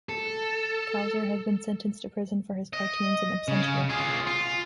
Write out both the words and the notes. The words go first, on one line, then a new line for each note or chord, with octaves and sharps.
Kowsar has been sentenced to prison for his cartoons in absentia.
A4
D#5
C#3
F4 G#4
F4